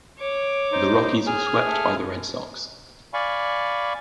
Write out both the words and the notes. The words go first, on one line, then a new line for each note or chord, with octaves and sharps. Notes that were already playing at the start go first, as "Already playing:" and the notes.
The Rockies were swept by the Red Sox.
C#5 D6
D#4 C5
G#4 G#5 F6
A3
D5 F5 G#5 B5 C#6